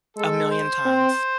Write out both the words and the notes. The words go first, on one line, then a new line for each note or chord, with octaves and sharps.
A million times.
G#3 A4
C5
C4